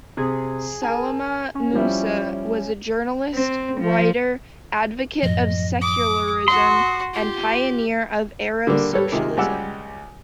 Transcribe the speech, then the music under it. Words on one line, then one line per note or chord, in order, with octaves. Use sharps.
Salama Musa was a journalist, writer, advocate of secularism, and pioneer of Arab socialism.
C3 G#4
A#4 G#5 A5
C#4
F3 G3 E4
C4
F3
F#2 A2 F3 D#5
D6 D#6
F#4 C6
F4 G4
D3 G3 A#3 D4
G3 A4 B4 C#5
C3 D#3 G#3 A#3 F4
C#2 G3 G#3 G4 F#5 E6